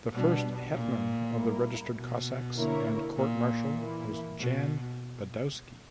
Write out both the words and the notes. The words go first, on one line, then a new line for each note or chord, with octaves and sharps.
The first Hetman of the Registered Cossacks and court marshal was Jan Badowski.
B2 G3 B3 D4
A#2
G3 A#3 E4 A#4
B2
D3 A#3 E4 A#4 C#5
A#2
E3 A#3 E4
B2